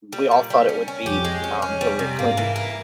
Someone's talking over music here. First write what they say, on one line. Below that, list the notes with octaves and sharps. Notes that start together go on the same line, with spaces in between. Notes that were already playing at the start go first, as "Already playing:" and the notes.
we all thought it would be, um, Hillary Clinton.
G3
A#2
G3
C#4
C#4
F2 G4
G#3
C#4
C#4
G3
C3
G#2 A#3
E3
A#3